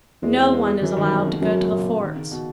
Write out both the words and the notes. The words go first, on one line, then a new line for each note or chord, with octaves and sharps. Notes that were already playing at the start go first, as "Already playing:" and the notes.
No one is allowed to go to the forts.
E2 G#3
G#3
G#3
G#3
F#2 E3
D#3
B2
C#3
F#2 B2
C#3
A#2
B2
C#3
D#3
C#3
B2